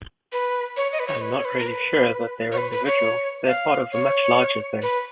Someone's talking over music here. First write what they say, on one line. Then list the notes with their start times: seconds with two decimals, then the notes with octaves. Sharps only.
I'm not really sure that they're individuals: they're part of a much larger thing.
0.32 B4
0.77 C#5
0.93 D#5
0.99 B4
1.08 C#5
1.21 B4
1.33 C#5
1.45 B4
1.60 A#4
1.67 B4
2.52 C#5
2.58 B4
2.72 B4
2.87 C#5
3.47 F5
3.92 C#5
4.82 B4